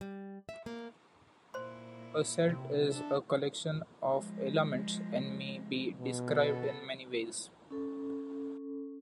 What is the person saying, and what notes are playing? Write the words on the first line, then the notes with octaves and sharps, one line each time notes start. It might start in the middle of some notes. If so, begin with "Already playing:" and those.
A "set" is a collection of "elements", and may be described in many ways.
G3
E5
A#3
A#2 E4 C5 C6
C3
D4 A4 E5
F3 G#3
B2
B3 A4
C#4 A4